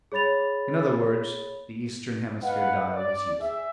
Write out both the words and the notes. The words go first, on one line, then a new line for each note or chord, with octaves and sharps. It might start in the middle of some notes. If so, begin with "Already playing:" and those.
In other words, the eastern hemisphere dial was useless.
G#4 C#5 B5 A6 F7
B4 D#5 F5 F#5
D5
G#4 E5